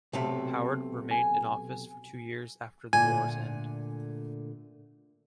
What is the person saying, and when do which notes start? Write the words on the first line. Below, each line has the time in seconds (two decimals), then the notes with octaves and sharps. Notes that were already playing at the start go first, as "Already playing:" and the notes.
Howard remained in office for two years after the war's end.
0.13 B1 C3 A3
1.11 G#5
2.93 A#2 D3 A3 G#5